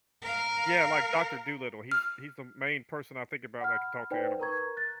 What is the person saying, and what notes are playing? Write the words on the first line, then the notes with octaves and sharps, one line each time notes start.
Yeah, like, Doctor Dolittle. He's he's the main person I think about that can talk to animals.
A#4 F5
F6
F#5 B5 F6
D#4 B4 C5 D5 G5
A#4 B4 A#5 C#6 G#6
F#6 A6